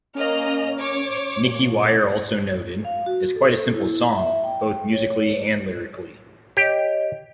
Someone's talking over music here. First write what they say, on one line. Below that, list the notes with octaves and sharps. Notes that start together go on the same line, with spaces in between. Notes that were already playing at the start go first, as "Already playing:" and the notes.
Nicky Wire also noted, It's quite a simple song, both musically and lyrically.
A#3 C#4 D#5 F6
C#5 D6
A#2
F5
F#4
A4
E4
E5
G5
C#5
G4 C#5 D#5